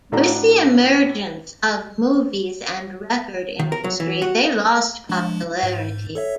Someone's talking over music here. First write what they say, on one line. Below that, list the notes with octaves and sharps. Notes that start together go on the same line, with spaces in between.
With the emergence of movies and record industry, they lost popularity.
A2 A3 D4 F#4 A#5
D#3
A#4
F#3
E3
F#4
F3 G#3 D4
G#2
A4 C#5 E5